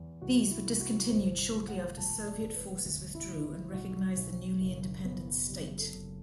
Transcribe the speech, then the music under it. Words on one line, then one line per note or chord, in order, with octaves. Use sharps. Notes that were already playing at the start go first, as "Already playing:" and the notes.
These were discontinued shortly after Soviet forces withdrew and recognized the newly independent state.
Already playing: E2
C2 F#4
E4
C2
F#4
G1 C5
A3
F#5
E1 A5
D5
E1
B4
D2
E4
D2
B1 F#4
B1
F#1
B3
F#1 G4
A4
F#1